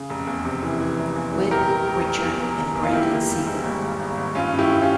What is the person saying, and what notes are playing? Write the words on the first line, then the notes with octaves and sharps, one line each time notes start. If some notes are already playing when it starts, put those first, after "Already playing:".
Witt, Richard and Brendan Segar.
Already playing: C#3
F1
E2
C3
E3
E3
F1
E2
E3
F1 G4 A#4
F1
F1
F1
E2
E2
E2
E2
F4
A#3 E4 G4
A#3
G3
G#2
G#1
G#1
G#1
G#1
G2 C#4 F4
G2
E4 G4
G2
C#4 F4